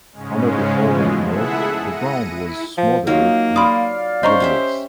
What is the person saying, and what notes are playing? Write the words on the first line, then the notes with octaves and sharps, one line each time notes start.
Under the old log the ground was smothered with woodlice.
G#2 C#3 G#3 C#4
B2 E3 F3 G#3 A3 F4
E4 G#4 A4 E5 F#5
A#6 C#7 D#7
E4
F3
F#3 A#3 D#4 F4
D5 F5 B5 C6 D6 D#6
C#4 C5 D#5 A#5 C#6
C#4 G4 E5